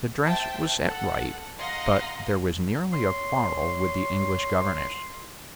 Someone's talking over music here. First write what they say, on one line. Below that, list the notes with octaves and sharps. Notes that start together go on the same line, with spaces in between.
The dress was set right, but there was nearly a quarrel with the English governess.
C5 E5 G5 A5
A4 F#5
D#5 F5 F#5 A#5 C6 A#6
C#5 C6